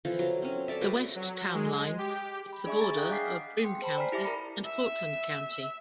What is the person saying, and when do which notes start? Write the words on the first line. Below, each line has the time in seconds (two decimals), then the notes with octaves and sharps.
The west town line is the border of Broome County and Cortland County.
0.05 E3 F3 A4
0.19 F#3
0.42 C4 C#4
0.68 A4 C#5 D5 E5
0.81 F#4 G#4 B4 G5
1.16 F#3
1.54 G#3
1.98 G4
2.53 B5
2.65 D4 G#4 D5 E5 G#5 C#6
2.79 G#4 A#5 A6
2.96 G#4 F5 G5 D#6 F#6 G6
3.10 D#5 F#5 G#5 D6 B6 C7
3.23 F6 B6
3.63 G5 C6 C#7
3.82 C5 A5 B5
3.98 D5 G#5 A#5 F6 B6 C7
4.12 E4 G4 E5 D6 A#6
4.24 A#4 A#5 B5 C#7
4.66 E5